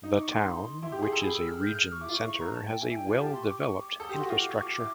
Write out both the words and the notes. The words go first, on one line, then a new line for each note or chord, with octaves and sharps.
The town, which is a region center, has a well-developed infrastructure.
D#4
D6
C#6
C6
E4
G4
G#4
A4
G#4 B5
E6
F6
G6
F6
C#6
E4 D6
F4
E4 C#6
C#6
A#5
A5
G5
E4 G#5
E4 G5
F4 G#5
G4 A5
C6
C#6
D6
C#6
D6
A4 D#6
G4
C6
F#4
F4 C#6
D6
C#6
D6
E4